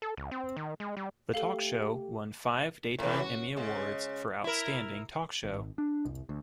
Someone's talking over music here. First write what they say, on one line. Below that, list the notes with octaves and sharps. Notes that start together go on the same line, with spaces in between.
The talk show won five Daytime Emmy Awards for Outstanding Talk Show.
A4
C#2
C4
D#3
G#3
G3
A3 G4 A4 F5
A2 C#3 E3
F#4
C#3 G#3
E4 A#4
G#1
D4
C2
D2